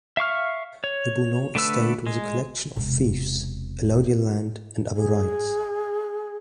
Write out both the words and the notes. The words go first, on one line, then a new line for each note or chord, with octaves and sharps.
The Bouillon estate was a collection of fiefs, allodial land, and other rights.
E5 F5 C#6 F6
C#5
D3 A3 B4 E6
G#3
E1 C3
G#4